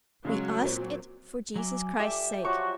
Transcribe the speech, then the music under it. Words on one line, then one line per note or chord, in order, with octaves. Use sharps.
We ask it for Jesus Christ's sake.
C#3 F#3 G#3 F5
A#2 C4
F#3 E5 G#5 D6
G4 A4 D5 E5
F3 F#3 F#4 G4 C#6 D6